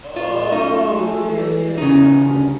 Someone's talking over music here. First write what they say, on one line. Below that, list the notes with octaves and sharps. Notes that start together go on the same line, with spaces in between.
Oh! Yeah, yeah, yeah, uh
A#2 F4
B1 C#4 D#4 F4
A3 G#4 A4
E3
E2 A#2 C#3 C#4 D#4
D2 G2